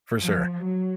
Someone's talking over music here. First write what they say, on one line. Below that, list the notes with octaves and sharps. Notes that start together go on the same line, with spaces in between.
for sure,
F3
F#3